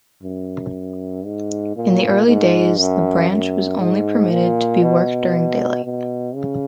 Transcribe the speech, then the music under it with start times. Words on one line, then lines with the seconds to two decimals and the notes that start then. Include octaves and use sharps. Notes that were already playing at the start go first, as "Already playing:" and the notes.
In the early days the branch was only permitted to be worked during daylight.
0.23 F#2
1.25 G#2
1.76 A#2
2.27 G#2
2.78 F#2
3.30 F#2
3.80 G#2
4.31 A#2
4.82 B2
5.85 B2
6.35 C#3